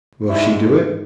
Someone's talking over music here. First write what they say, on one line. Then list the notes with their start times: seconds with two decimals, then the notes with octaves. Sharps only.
Will she do it?
0.29 G#2 E4